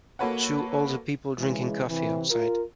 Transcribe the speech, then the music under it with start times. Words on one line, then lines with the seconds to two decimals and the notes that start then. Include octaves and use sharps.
Two older people drinking coffee outside.
0.19 A#3 F#4 A4 B4 C#5 F#5
1.38 C#3 E3 G#3
1.88 C3 E3
2.31 F4 A#4